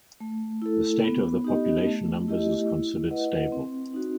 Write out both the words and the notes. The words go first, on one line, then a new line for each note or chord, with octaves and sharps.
The state of the population numbers is considered stable.
A3
E4 A4
B3
D#4 G4 D#5
A3
E4 G4 D#5
E4
B4 D#5 F#5
C4
D#4 F#4